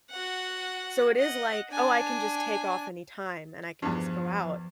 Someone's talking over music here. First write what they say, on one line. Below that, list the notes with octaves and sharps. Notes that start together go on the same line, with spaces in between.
So it is like, "Oh, I can just take off anytime, and I can just go out,"
F#4 F#5
D#5 F#5
D4 G#5
E2 G2 F3